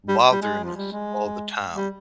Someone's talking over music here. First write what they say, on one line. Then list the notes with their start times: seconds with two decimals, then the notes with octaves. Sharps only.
bothering us all the time
0.08 G3
0.32 G3
0.42 G#3
0.64 F3
0.76 G3
0.92 G#3
1.76 G3